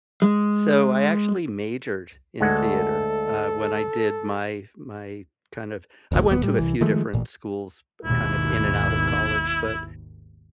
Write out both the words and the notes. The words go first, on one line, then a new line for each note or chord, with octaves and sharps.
So I actually majored in theater, uh, when I did my my kind of I went to a few different schools kind of in and out of college, but
G#3
D2 G#3 A4 F#5
D#1 G#1 D2 A#2
D#1 D#2 A3 B3
A2 G3
C2 F2 E3
D#3 F3 G#3 A3
A1 A#2
G#1 D#2 B2 E4